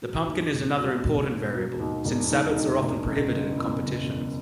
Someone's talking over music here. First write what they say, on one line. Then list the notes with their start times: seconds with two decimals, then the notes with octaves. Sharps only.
The pumpkin is another important variable since sabots are often prohibited in competitions.
0.02 F#3
0.28 D#2
0.53 E1
0.79 F#3
1.04 E1
1.30 D#3
1.55 F#3
1.80 D#2
2.05 E1
2.31 D#3
2.56 D#3
2.82 E1
3.07 F#1
3.32 F#1
3.57 E2
3.83 F#1
4.08 E2